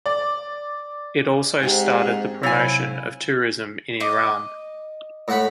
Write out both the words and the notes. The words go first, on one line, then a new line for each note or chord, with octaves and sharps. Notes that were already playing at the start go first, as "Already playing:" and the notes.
It also started the promotion of tourism in Iran.
D5
G#2 C4 D#4 G4
C3 F#3 E4 C#5 F5 G#5
D#5 D6
A2 F#5 B5